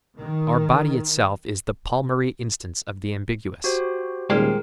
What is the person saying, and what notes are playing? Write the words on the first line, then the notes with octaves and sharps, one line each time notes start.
Our body itself is the palmary instance of the ambiguous.
D#3
F#4 G4 C5
D#1 G#3 F4 G4 G#4 A#4 C5 D5